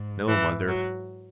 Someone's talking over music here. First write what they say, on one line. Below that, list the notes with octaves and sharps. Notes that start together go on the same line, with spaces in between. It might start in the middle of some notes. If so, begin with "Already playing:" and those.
No, mother!
Already playing: G#2
E3
F#3